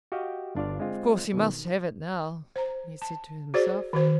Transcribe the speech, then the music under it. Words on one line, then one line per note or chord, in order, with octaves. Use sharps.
"Of course he must have it now," he said to himself.
F#4 G4 D#5 F5 G5
G1 D4 F4 D5 F5
G#3 C4 F4
B2 D#3
C5 A#5
A5
F#4 G#4 C5 D5
D#3 F#4 C5